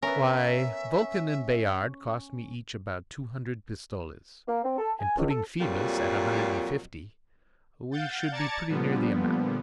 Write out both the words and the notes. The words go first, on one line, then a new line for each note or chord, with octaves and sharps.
"Why, Vulcan and Bayard cost me each about two hundred pistoles, and putting Phoebus at a hundred and fifty, we should be pretty near the amount."
B3 C#4 A#4 E5
A#3
C4
A4
G#5
C#2
A4
F2 A#2 F#3 G3
F5 F#5 G6 A6
D5 A5 A#5 G#6 A6 C#7
A#2 D3 F3 G3 B3